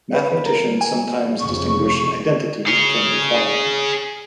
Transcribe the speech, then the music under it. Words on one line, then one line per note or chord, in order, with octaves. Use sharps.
Mathematicians sometimes distinguish identity from equality.
B4
B4
A#4
G#5
F1 C#3 C#6
G#4 C#5